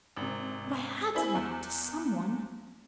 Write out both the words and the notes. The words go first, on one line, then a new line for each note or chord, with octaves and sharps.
But I had to let off to some one.
G#1 C3
C4 E4 G#4
E2